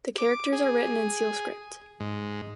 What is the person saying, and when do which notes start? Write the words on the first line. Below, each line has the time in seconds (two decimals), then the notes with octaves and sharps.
The characters are written in seal script.
0.18 D6
0.52 G#4
2.00 G#2